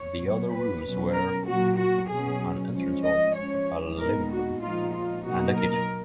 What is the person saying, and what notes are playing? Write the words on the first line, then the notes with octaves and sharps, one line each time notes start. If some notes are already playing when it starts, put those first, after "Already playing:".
The other rooms were an entrance hall, a living room and a kitchen.
Already playing: C#5
A#2 F#3 B3
B4
B2 F#3 C#4
A#4
A#2 F#3 A#3 F#4
F#4
B2 F#3 C#4 G#4
F3 G#3 C#4
D#5
F3 G#3 C#4 C#5
A#2 G#3 B3 D#4 A#4
F#4
A#2 F3 G#3 D#4 F4
F4
B2 F#3 A#3 D#4 F#4
A#4